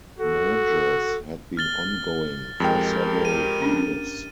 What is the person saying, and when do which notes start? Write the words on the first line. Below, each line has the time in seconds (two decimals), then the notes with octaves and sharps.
Mergers had been ongoing for several years.
0.19 F#4 A4
1.57 F6 A6 G7
2.60 F2 G#3 G4 A#4 G5
3.25 D#7
3.62 C#4 D4